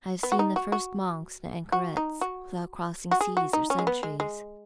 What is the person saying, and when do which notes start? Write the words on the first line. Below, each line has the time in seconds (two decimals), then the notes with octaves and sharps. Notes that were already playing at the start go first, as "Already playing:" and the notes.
I have seen the first monks and anchorets, without crossing seas or centuries.
0.23 B3
0.32 F#4
0.39 D#4
0.56 F#4
0.72 F#4
1.72 F#4
1.97 D#4
2.21 F#4
3.11 F#4
3.21 G#4
3.37 F#4
3.53 D#4
3.70 C#4
3.79 G#3
3.87 B3
4.03 G#3
4.20 G#3